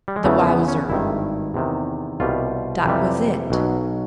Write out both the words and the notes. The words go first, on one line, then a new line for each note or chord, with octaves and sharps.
The Wowzer! That was it!
G3
G#3
E2 C#3 E3 A3
A#3
B3
C#4
G#1 G2 D#3 E4
E2 C3 D#3
C2 B2 G3 F4
F2 C3 E3 G3
B1 B2 F#3